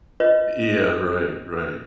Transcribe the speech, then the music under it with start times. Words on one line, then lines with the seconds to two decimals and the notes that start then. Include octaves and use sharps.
Yeah, right, right.
0.20 F4 B4 C#5 D#5